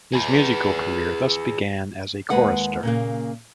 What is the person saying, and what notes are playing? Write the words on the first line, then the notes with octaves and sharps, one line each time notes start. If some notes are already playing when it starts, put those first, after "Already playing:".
His musical career thus began as a chorister.
G#4 B4
D#2 G#3 B4 F#5
A#2 C#3 A#3